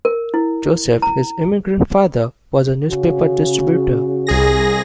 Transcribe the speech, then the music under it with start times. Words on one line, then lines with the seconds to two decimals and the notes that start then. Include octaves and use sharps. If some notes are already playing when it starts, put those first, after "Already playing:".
Joseph, his immigrant father, was a newspaper distributor.
0.05 A#4
0.34 E4
1.02 A#5
2.90 C#3 F#4
4.27 C2 G#4 A#6